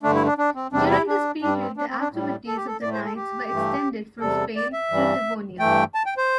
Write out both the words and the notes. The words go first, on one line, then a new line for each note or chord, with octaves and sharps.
During this period the activities of the Knights were extended from Spain to Livonia.
G2 D3 A3 D4
E4
D4
D4
C4
E2 C3 G3 D4
E4
D4
G2 G3 D4
C4
D4
C4
D4
A2 G3
A4
G4
A4
A2 A3 D5
C5
A4
G4
G2 E3 A3
E2 C3 G3 A4
D5
E5
G2 E3 G3
G2 E3 A3 G5
A5
G5
C5